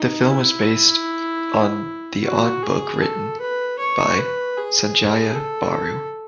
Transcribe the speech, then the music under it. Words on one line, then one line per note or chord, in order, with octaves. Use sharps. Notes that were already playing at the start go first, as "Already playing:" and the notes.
The film was based on the on Book written by Sanjaya Baru.
Already playing: D#4
E4
F#4
G#4
A4
B4
C#5
B4
G#4
A4